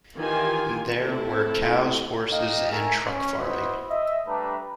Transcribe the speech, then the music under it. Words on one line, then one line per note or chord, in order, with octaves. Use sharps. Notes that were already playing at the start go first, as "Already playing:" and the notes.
There were cows, horses and truck farming.
D#3 E3 F4 G4 G#5
A3 C4 E4 A4
D#4 G4 D#5 F5
A3 A#4 G#5
C#4
E4 F#4 B4 C5 D#5
D#5 E5
G3 A3 D4 B4 A#5